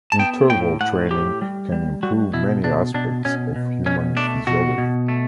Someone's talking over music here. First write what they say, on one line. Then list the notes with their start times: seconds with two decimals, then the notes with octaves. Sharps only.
Interval training can improve many aspects of human physiology.
0.12 A5
0.19 B3 G5
0.50 A2 G5
0.81 A2 F#5
1.11 A2 G4
1.42 G3
1.72 G3
2.03 G3 F#4
2.33 B2 E4
2.64 B2 D4
2.94 B2 D4
3.25 B2 C#4
3.56 B2
3.86 B2 C#4
4.17 A3 D4
4.47 B2 F#4
4.78 B2
5.08 A3